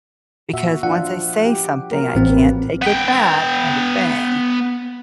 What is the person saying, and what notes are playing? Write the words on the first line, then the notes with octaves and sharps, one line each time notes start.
Because once I say something, I can't take it back, kinda thing,
A#2 F#4 E5
F3 D4 F4 F#5
G4
F#3 A#3 A#4
A1 C4
A#3 B4
B3 G5